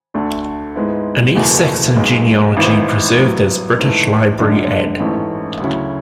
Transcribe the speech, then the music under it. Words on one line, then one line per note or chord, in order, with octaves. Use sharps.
An East-Saxon genealogy preserved as British Library Add.
D2 D3 A3 D4
G#2 G#3 B3 E4
F#1 E2 B2 A3
B1 B2 G#3
G#1 G#2 E3 B3 E4
A2 F#3 B3
G#2 E3 A3
F#2 D3 G#3 D4
A1 G#2 E3 A3 C#4
D2 C#3 F#3 C#4 E4